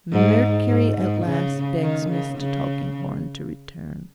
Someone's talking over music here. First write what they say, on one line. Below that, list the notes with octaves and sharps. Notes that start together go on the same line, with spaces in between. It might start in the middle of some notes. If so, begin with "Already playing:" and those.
Mercury at last begs Mr. Tulkinghorn to return.
G#2
G#2
G#2
C#3
D#3
C#3
C#3